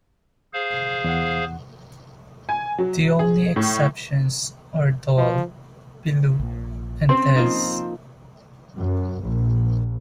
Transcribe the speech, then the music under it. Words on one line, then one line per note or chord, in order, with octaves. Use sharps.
The only exceptions are "Dhol", "Billu" and "Tezz".
G#4 C5 F5
E2 F#5
G#5
F#3
G#4
A2
F3
A#1 A#2
C4 C#4 C6
F3 A#3 D#4
F#2
A#1